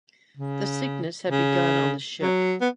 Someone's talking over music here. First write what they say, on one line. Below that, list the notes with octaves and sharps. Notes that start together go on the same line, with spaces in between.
The sickness had begun on the ship.
C#3
C#3
F#3
B3